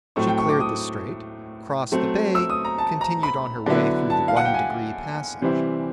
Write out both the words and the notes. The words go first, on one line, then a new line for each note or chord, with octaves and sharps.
She cleared the Strait, crossed the bay, continued on her way through the 'One-degree' passage.
A2 F#3 A3 C4 C#6
G5
C#6
D6
D#6
F#3 A3 C4
E6
D#6
A#5
A5
A#5
B5
D3 F#3 B3 E4
A5
F5
F#5
G5
G#5
C3 E3 G3 C4 E4